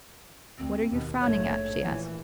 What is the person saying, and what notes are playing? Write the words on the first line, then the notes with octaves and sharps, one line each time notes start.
"What are you frowning at?" she asked.
D2 C4
D#2 B2
A#1 G#2 A3 C#5
A#1 E3